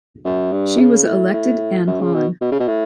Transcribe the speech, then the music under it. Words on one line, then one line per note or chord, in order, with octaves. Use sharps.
She was elected an Hon.
F#2
G2
C#3
A2
A2
F#2
C#3
B2
B2
C#3
B2
A2